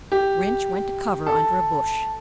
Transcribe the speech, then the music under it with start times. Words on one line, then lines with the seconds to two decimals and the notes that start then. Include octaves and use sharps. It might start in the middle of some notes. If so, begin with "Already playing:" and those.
Rynch went to cover under a bush.
0.12 G4
1.27 A4